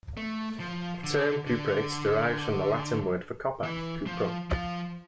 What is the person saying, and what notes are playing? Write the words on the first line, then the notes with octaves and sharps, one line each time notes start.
The term cuprates derives from the Latin word for copper, "cuprum".
A3
F3
D3
D3
E3
F3
F3